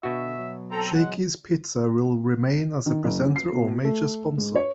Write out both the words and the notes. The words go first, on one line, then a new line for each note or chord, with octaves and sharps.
Shakey's Pizza will remain as a presenter or major sponsor.
B2 D3 F#4 E5
F#3
C4 A4 A#5
G#3 F#5
D#3
F#1
C#4
C7
B2
A3
G#2
C#5